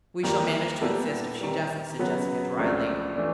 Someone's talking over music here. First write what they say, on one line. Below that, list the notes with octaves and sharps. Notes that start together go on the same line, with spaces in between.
"We shall manage to exist if she doesn't," said Jessica dryly.
D#2 D#3 G3 A#3
A#2 G3 B3 E4 A4
C3 D#3 G3
C#3 F#3 B3
C#2 C3 F3 A3 D4
E3 A3 D4